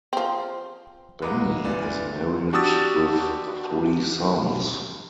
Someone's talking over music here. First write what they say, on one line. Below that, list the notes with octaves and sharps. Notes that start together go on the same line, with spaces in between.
Bennie is married with three sons.
F3 C4
C#2 G#3 B4 F#5 A#5 D6
D1 G1 E2 E3 D5 G#5
D4 F#4 G4 D#6 E6 A6